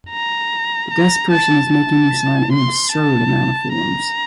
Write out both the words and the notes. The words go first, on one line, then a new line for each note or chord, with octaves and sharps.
The deskperson is making you sign an absurd amount of forms.
A#5
A#5
A5
A5
C6
A5
A#5